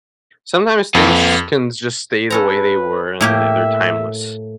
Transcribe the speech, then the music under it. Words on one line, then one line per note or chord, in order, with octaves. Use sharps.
Sometimes things sh can just stay the way they were and th they're timeless,
F2 A4 B4 F5
C#4 A4 B4 A#5
A2 A#3 G4 E5